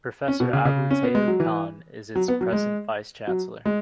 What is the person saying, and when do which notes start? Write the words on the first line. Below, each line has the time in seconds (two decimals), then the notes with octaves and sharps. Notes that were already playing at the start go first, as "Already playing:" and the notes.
Professor Abu Taleb Khan is its present vice chancellor.
0.28 C#4
0.40 B2
0.53 C#3
0.65 C#3
0.91 C#4
1.03 B3
1.15 G#3
1.28 F#3
1.40 E3
2.15 F#3
2.28 B3
2.41 F#3
2.53 G#3
3.27 F#3
3.66 G#3